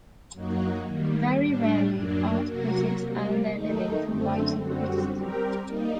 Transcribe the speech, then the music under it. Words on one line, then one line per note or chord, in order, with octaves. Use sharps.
Very rarely art critics earn their living from writing criticism.
F#2 F#3 A#3 D#4 F#4
D#3 G3 A#3
A2 G3 D4
F#2 F#3 A#3 D4
C3 F#3 A#3 F#4 A#4
C3 G3 A#3
D#2 D#3 A3 D#4
F#2 D3 A3 C4
F#2 D3 G3 C4 F#4
G3 C4 G4 A#4
G3 A#3 D#4